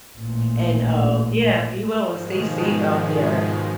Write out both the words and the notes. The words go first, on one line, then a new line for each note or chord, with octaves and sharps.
and, uh, yeah, be well and stay safe out there.
A1 A#2
G#2 B2 D#3 F3 G#3